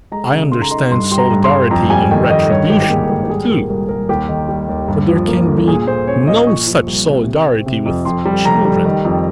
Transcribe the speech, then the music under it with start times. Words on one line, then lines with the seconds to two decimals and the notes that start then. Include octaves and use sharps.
I understand solidarity in retribution, too; but there can be no such solidarity with children.
0.12 G#3 A#5
0.32 C#3
0.52 D#4 C6
0.62 A#5
0.71 D#4 C6
0.92 G2 C6
1.12 G3 C6
1.18 A#5
1.31 G2
1.44 C6
1.51 G2
1.71 F2 A#5
1.90 G3 G#5
2.11 D#3 G5
2.30 D#3 D#5
2.50 G2 C#5
2.70 G#1 G4
2.82 G4
2.90 A#3 G#4
3.09 G#1 G4
3.24 G4
3.29 G3 G#4
3.49 A#2 A#4
3.70 C2 A#4
3.89 C2 A#4
4.09 D#2 G4
4.29 D#3
4.48 G3
4.69 D#2
4.88 G2
5.08 F3
5.28 A#3
5.47 G1
5.68 A#2 G#4
5.87 A#2 C5
6.07 C#4 C#5
6.27 A#2 D#5
6.47 F3 C#6
6.67 F3
6.87 C2
7.07 C3
7.26 C3
7.46 C4
7.66 C3
7.86 F2
8.05 F2 C6
8.25 G3
8.45 F1 A#5
8.65 G3
8.86 D#3
9.05 F2